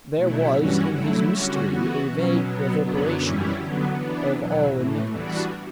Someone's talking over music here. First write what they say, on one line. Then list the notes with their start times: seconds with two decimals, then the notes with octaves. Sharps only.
There was in his mystery a vague reverberation of all enigmas.
0.15 B2 F#3 A3 E4
0.53 G2 E3 G3 C#4 F#4
0.91 D3 F#3 A3 E4
1.29 D3 G3 C#4 F#4
1.67 E3 B3 F#4
2.06 B2 F#3 C#4
2.43 B2 F#3 B3
2.82 F#2 D3 F#3 B3 D4
3.19 F#2 E3 G3 C#4 E4
3.58 D3 F#3 B3
3.96 E3 B3 D4
4.34 E2 B2 F#3
4.72 A2 E3 A3
5.10 E3 G3 B3 D4 F#4